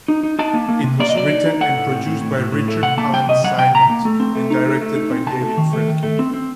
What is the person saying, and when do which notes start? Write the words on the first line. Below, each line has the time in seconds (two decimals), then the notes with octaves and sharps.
It was written and produced by Richard Alan Simmons and directed by David Friedkin.
0.08 D#4
0.23 D#4
0.39 D#4 A5
0.54 A#3
0.69 A#3
0.84 C3
1.00 A#3 D5
1.09 D#5
1.15 F#3 D5
1.30 D#4
1.46 D#4
1.61 A3 F#5
1.76 A2
1.92 C4
2.06 A2
2.21 A2
2.37 A2
2.52 A2
2.68 A3
2.83 C3 F#5
2.97 A#3 A5
3.13 G3 G5
3.29 C3 D#5
3.44 G3 F#5
3.59 C3 G5
3.75 C3 A#5
3.90 A#3
4.05 A3
4.20 C4
4.35 A3
4.51 D#4
4.66 A3
4.81 A3
4.96 D#4
5.11 C4
5.26 C3 A5
5.42 A3
5.57 D#3
5.73 A3
5.88 D#3
6.03 A3
6.19 C4
6.34 C4